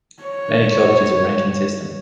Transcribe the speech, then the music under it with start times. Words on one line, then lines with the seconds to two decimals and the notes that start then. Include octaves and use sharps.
Many clubs use a ranking system.
0.23 C#5